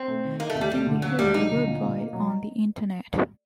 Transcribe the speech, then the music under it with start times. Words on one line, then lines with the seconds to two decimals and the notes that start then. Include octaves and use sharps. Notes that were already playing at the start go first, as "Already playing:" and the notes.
It can be heard worldwide on the internet.
Already playing: C4
0.08 A3
0.24 D#3
0.40 A#3 D#4
0.50 A3
0.55 D2
0.61 G3
0.72 G3 A3
0.86 D3
1.02 F#3 A#3
1.19 D2 G3
1.34 F#3 D#4
1.51 D3
1.67 A#2
1.82 A#2
1.97 A#3
2.13 F#3